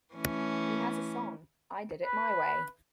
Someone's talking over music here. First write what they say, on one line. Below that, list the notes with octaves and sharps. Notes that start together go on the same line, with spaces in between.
He has a song, I Did It My Way.
E3 A3 C#4
B4